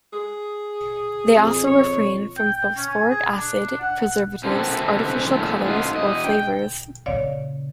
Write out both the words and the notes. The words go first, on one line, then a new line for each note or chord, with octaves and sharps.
They also refrain from phosphoric acid, preservatives, artificial colors or flavors.
G#4
F2
C#5
G5
G5
C#4
G#5
G#4
D4
F#5
C3 F3 A#3 C4 A4 B4
E2 A#2 A3
A3 B3 D#4 F4
E2 D#5
G5
A#2 C#3 C#5 D5 F5